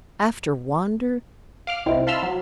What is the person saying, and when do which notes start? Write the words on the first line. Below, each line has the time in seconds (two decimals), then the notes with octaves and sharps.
After Wander?
1.67 F5 D6 F6
1.86 C2 C4 D#4 E4
2.07 F5 A5 B5 C6 E6 F6
2.23 F#3